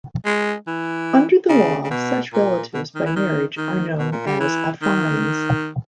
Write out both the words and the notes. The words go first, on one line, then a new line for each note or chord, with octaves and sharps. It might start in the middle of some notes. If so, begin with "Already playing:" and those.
Under the law, such relatives by marriage are known as affines.
G#3
E3
C#3
C#3
B2
A#2
B2
D#3
E3
D#3
D#3
B2
A#2
G3
E3
D#3